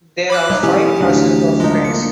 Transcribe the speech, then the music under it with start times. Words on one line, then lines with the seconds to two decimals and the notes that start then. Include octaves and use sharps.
There are five classes of Friends.
0.30 B5 D6 F#6
0.50 F#3 D#4
0.63 E3 C#4 G4
1.00 D2 E3 F#3
1.60 F3 G#3 D#4
1.85 A#3 C#7